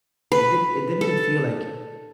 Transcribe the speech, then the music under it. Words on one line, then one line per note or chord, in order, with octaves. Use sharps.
it did it didn't feel, like,
B4
A4